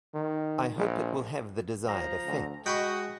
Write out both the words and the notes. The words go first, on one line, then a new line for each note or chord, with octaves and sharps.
I hope it will have the desired effect.
D#3
A#1
F3 A#5
D2
G#3 F#4 D#5 G5 B5 C#6